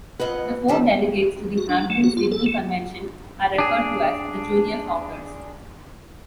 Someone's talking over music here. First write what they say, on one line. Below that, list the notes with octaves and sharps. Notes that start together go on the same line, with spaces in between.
The four delegates to the Hampden-Sydney Convention are referred to as the Junior Founders.
F2 B4 D#5 F#5
D#3 G3 A4
F#4
D4
A3
F#4
F4
A4
A3
D4 G#4